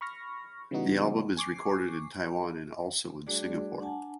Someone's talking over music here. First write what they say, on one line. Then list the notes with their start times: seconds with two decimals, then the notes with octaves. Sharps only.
The album is recorded in Taiwan and also in Singapore.
0.01 B5 C#6 F6 A#6
0.71 C#3 E3 G3 B3 D#4 F#4
1.37 G#5 C#6 D6 C7
3.27 G3 A3 D4 F#4 G#4 D5
3.80 D4 F#5 G#5 A5